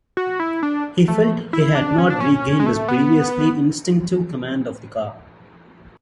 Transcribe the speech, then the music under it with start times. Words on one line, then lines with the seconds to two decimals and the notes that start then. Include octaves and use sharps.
He felt he had not regained his previously instinctive command of the car.
0.17 F#4
0.40 E4
0.63 D4
1.08 A3
1.53 E4
1.75 D4
1.98 C#4
2.10 D4
2.20 C#4
2.60 G#3
2.66 A3
2.88 B3